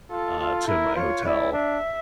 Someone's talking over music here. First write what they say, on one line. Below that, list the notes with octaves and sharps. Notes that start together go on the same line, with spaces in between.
uh, to my hotel,
F4 A4
F4
E4 A#4
F4 C#5
E4 D5
D4 E5